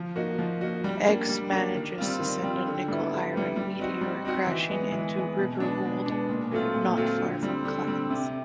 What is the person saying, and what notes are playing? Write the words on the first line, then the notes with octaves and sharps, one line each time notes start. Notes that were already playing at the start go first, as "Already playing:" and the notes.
X manages to send a nickel-iron meteor crashing into Riverwold, not far from Clemens.
Already playing: F3
A#3 D#4 F#4
F3
A#3 D#4 F#4
G3
A#3 D4
G3
A#3 D4
D#3
G3 C4 F4
D#3
G3 C4 F4
D3
G3 B3 E4
D3
G3 B3 E4
G3
C4 D#4 F#4
G3
C4 D#4 F#4
E3
G#3 B3
E3
G#3 B3
B2
G#3 B3 D4
B2
G#3 B3 D4
A#2
F#3 A3 C4 F4
A#2
F#3 A3 C4 F4
D3
G3 C4
D3
G3 C4
C3